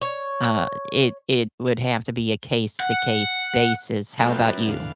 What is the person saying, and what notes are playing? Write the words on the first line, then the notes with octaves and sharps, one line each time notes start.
uh, it it would have to be a case-to-case basis. How about you?
C#5
F#5
F#2 A3 F4 B4 G5
E2 D3 F5